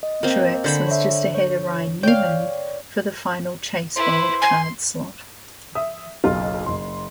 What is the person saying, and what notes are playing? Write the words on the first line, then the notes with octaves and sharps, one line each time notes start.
Truex was just ahead of Ryan Newman for the final Chase wildcard slot.
D#5
A#3 C4
D3 C5 B5
C#5 E5
C#5
C#5 D5 F5 G5
E4 B4 C5
G#5 C6
E5 D#6
F#1 B1 F4
F#1 C6